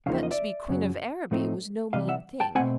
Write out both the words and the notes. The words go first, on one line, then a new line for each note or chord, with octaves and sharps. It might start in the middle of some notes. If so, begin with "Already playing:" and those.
But to be Queen of Araby was no mean thing.
E2 C#3 F3 A#3 D#4 F5
E5
D#5
D5 E5
F#2 C#3 F#3
A2 F3 A3 C4 D#4
C3 E3 G3 D#5 F5
E5 F#5
G5 A5
B2 F#3 A3 C4 F#5 G#5